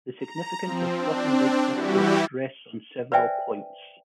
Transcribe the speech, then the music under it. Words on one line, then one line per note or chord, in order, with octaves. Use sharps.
The significance of Grothendieck's approach rests on several points.
A#5
F3 C4
C4 D4
E3 G3 E4 F#4 G4
B4 C5 D5 E5 G5 G#5